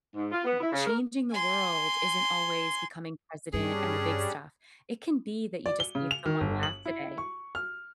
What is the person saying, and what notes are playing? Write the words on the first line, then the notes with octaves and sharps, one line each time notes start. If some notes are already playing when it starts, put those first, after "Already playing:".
ee changing the world isn't always becoming president and the big stuff. It can be that you just made someone laugh today.
G#2
F4
B3
E4
C#3
A#4
G#5 C6
G2 G3 C#4 D4 G#4
D5
G7
C#3
F7
D#3
G1
F#7
E4
C#6
F6